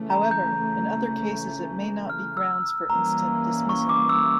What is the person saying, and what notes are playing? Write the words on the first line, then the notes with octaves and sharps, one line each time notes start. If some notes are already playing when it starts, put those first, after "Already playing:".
However, in other cases it may not be grounds for instant dismissal.
Already playing: C#3 E3 A3 C#4
A#5
G6
F6
E6
E3 G3 A#3 C#4 A#5
C#6
D6
E6